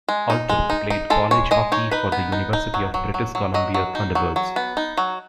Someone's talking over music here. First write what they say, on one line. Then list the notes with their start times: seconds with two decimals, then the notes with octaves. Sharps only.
Alto played college hockey for the University of British Columbia Thunderbirds.
0.09 G#3
0.30 D#4
0.49 G#3
0.70 D#4
0.90 D#4
1.10 G#3 A4
1.31 G#3 C#5
1.51 G#3 D#5
1.72 D#4 C#5
1.91 D#4 B4
2.12 B3
2.32 D#4
2.53 D#4
2.74 F#3
2.94 F#3
3.14 F#3
3.35 F#3
3.54 F#3 D#5
3.74 F#3
3.95 D#4
4.15 F#3
4.36 F#3
4.56 B3
4.77 D#4
4.97 F#3